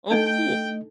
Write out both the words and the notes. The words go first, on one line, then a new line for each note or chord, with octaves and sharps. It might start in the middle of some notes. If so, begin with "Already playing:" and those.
Oh, cool.
A3 D4 D#4 A4 D#5 G5